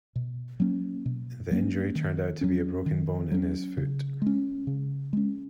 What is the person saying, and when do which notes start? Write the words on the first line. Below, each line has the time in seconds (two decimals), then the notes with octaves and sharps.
The injury turned out to be a broken bone in his foot.
0.16 B2
0.60 F#3 A#3 C#4
1.06 B2
1.51 F#3 A#3 C#4
1.95 D#3
2.41 F#3 C#4
2.86 D#3
3.31 F#3 C#4
3.77 C#3
4.22 G#3 C#4
4.67 C#3
5.13 G#3 C#4